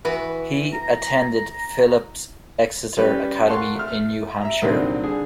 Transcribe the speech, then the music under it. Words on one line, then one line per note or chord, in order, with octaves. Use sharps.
He attended Phillips Exeter Academy in New Hampshire.
E3 B3 F#4
A#5
G3 C#4 G4 B4
A4 A#4 F5 F#5 C6 C#6
A3 F6
E5 A#5
C2 A#2 D3 D#3 F#3 C4
D3 G#4